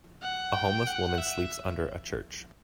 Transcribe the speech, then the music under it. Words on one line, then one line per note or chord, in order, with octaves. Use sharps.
A homeless women sleeps under a church.
F#5
G5
F#5
E5